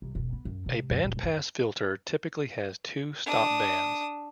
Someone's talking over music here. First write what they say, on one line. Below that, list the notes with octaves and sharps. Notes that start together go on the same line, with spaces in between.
A bandpass filter typically has two stopbands.
C2
E1
B3
F#2
C3
F#2
D#1
F#2
D4 D#6